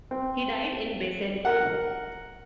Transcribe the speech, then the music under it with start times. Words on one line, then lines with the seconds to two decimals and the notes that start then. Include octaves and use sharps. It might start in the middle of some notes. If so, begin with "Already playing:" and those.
He died in Basel.
0.11 C4
1.45 A#4 F#5